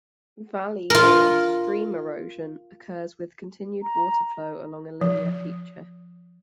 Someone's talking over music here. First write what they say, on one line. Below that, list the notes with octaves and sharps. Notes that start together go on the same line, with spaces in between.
"Valley" or "stream erosion" occurs with continued water flow along a linear feature.
F4 A#4
A#5
F3